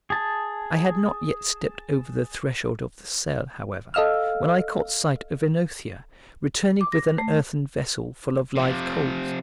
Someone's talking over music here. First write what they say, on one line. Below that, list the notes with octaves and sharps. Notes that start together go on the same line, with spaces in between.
I had not yet stepped over the threshold of the cell, however, when I caught sight of OEnothea returning with an earthen vessel full of live coals.
G#4 A5
A4 D#5 F5 E6 F6
D6
A#6
A3
C3 F3